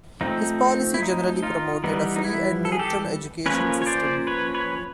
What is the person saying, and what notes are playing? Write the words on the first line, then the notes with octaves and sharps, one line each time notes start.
His policy generally promoted a free and neutral education system.
F3 A3 C4 D#4
E4
D#4
D#4 F4
E3 G3 B3 D#4
D#4
E4
A4
G#4
G4 A4
F3 A#3 C#4 B4 C#5
C#5
C5 D5
B4 C#5
B4 C#5